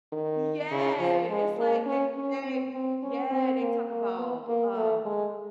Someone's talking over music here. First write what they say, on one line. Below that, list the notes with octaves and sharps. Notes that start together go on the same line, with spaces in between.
Yeah, it's like, they say yeah, they talk about, um
D#3
C#3
F3
G#3
A#3
C#4
C#4
C4
C4
C#4
C4
A#3
A#3
B3
A#3
A3
G#3